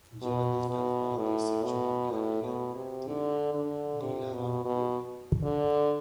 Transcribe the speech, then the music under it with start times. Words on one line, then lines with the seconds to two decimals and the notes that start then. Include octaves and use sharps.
Geologists have called this section of the glacier "the Delavan lobe".
0.22 B2
0.70 B2
1.17 A2
1.64 B2
2.12 A2
2.43 B2
2.75 C3
3.07 D3
3.54 D3
4.01 C3
4.33 B2
4.65 B2
5.44 D3